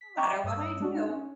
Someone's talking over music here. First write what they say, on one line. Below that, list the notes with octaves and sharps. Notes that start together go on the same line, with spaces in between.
no matter what I do,”
B6
D#5 E5 G5 A#5 C#6 D6
G2 C#5 D#6 E6
G#3 D4 F#4
D#4
C#4